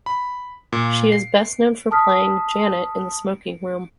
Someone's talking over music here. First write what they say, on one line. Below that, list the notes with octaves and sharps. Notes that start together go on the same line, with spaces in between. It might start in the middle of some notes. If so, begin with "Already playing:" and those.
She is best known for playing Janet in "The Smoking Room".
B5
A#2
C7
A5 D#6 F6 B6